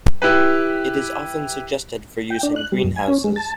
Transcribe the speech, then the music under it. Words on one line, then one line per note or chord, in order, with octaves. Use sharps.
It is often suggested for use in greenhouses.
E4 G4 B4
G5
D4
F#6
G3
F#2
G#5
C#4
G#3
A5